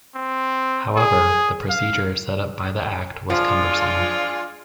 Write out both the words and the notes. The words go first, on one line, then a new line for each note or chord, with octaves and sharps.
However, the procedure set up by the Act was cumbersome.
C4
G#4
F5
F3 G#3 D4 F4